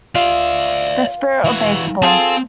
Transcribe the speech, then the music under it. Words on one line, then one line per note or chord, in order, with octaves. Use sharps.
The Spirit of Baseball.
F4 D5 E5
E3 F#4
C4 F4 G#4 A4